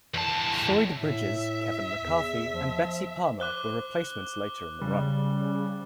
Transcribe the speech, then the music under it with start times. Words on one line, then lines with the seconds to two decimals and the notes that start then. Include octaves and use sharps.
Lloyd Bridges, Kevin McCarthy, and Betsy Palmer were replacements later in the run.
0.14 E2 A5
1.00 A2 E5
1.98 E2
2.54 F3
3.40 C5 D6 F#6 G7
4.81 C#3 G3